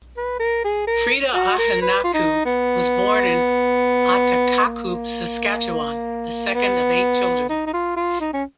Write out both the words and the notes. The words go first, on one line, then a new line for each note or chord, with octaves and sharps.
Freda Ahenakew was born in Ahtahkakoop, Saskatchewan, the second of eight children.
B4
A#4
G#4
A#4
F#4
A#4
B4
F4
D#4
B3
A#3
B3
D#4
D#4
F4
F4
D#4
C#4